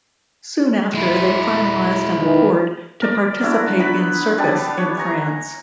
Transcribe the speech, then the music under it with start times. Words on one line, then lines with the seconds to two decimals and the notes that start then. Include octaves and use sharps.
Soon after, they finalized an accord to participate in circus in France.
0.95 G#3 E4
2.19 D#3 E3
3.02 A#4 D5
3.43 D3 E4 F#4
3.79 B3 B4 B5
4.38 G3 B3 D4 A5
4.77 C#5
4.98 G#5 A#5 C#6